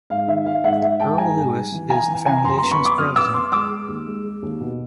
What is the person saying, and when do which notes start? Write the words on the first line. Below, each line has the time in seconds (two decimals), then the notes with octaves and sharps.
Earl Lewis is the Foundation's president.
0.10 G#2 F5
0.27 D#3 E5
0.46 D#3 F5
0.64 G#2 E5 F#5
0.82 G#3 E5 F#5
1.00 G#2 G5 A5
1.18 G#2 G#5 A#5
1.37 G#2
1.54 G3
1.72 E3
1.90 E3 G#5 A#5
2.08 E3
2.26 E3 G#5 A#5
2.44 F#2 A#5 C6
2.58 B3 A#5 C6
2.71 B5 C#6
2.81 B3 C6 D6
2.98 F#2 D#6 F6
3.16 B3 D6 E6
3.34 B3 C6 D6
3.52 G#3 D6 E6
3.71 G#3
3.88 D#2
4.07 G#3
4.24 G#3
4.42 D#2
4.61 B2